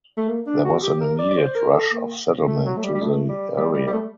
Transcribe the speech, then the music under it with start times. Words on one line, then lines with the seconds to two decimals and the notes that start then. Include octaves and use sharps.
There was an immediate rush of settlement to the area.
0.17 A3
0.28 A#3
0.46 D4
0.64 F#4
0.83 G4
1.01 A#4
1.19 D5
1.30 D5
1.37 C5
1.55 A#4
1.74 A4
1.92 A#3
2.46 A3
2.65 F#3
2.77 A3
2.84 G3
2.94 G3
3.01 A3
3.29 G3
3.56 G3
3.74 G3
3.87 G3
3.93 A3